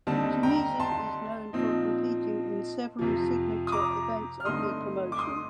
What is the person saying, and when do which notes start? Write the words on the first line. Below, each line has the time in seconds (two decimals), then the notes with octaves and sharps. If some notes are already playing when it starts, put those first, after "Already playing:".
Shimizu is known for competing in several signature events of the promotion.
0.07 D#2 D3 G3 C4 D#4 A5
0.43 G5 A#5
0.79 A5 C6
1.53 A#2 F3 C4 D#4
2.99 F2 C3 F3
3.67 D#6
3.72 A#5 D6
4.40 F6
4.45 G2 D3 A3 C4 D#4 C6 D#6
5.12 D6
5.18 C6 D#6